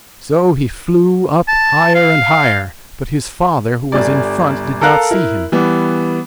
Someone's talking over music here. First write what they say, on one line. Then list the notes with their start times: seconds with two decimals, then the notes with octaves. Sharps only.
So he flew up higher and higher, but his father who was in front did not see him.
1.48 A5
1.95 F5
3.92 G1 G3 D5
4.81 A4 A#4 F5 A#5 F#6
5.11 E4 A#4
5.52 E3 G3 B3